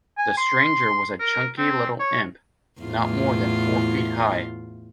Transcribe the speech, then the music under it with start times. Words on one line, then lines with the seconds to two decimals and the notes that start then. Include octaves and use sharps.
The stranger was a chunky little imp, not more than four feet high.
0.18 G#5
0.37 C6
1.20 A#4
1.58 C4
2.00 C#5
2.81 E2 A2 F4